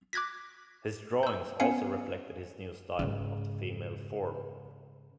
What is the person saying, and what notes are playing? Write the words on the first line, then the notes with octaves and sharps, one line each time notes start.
His drawings also reflected his new style of the female form.
D6 F#6 G#6 A#6 B6
E6 G6
B3 C#4 C5 F5 G#5 C#7
G#2 C#3